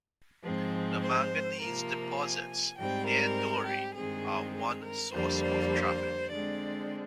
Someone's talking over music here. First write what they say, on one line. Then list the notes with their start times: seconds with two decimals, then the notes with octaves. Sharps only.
The manganese deposits near Dori are one source of traffic.
0.43 G#2 F3 G#3 C4
1.02 C5
1.60 C3 F3 A#3 A#4
2.20 G#5
2.78 G#2 G3 C4 G5
3.08 A#4
3.66 G4
3.95 G2 D#3 G#3 C4 G#4
4.55 G#4
4.83 A#4
5.13 F2 D3 G3 A#3 C5
5.42 C5
6.30 D3 G#3 C4 D5